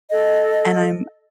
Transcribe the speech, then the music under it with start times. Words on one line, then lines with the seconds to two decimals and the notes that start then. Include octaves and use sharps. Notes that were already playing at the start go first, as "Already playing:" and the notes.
and I'm
0.10 A4 D#5